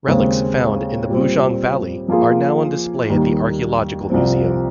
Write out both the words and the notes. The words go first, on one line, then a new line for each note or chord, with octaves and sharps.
Relics found in the Bujang Valley are now on display at the archaeological museum.
D#2 C#3 G#3 C4
A#2 G3 C4
F3 A#3 F4 G#4
D#2 D#3 G3
C2 C3 F3 C4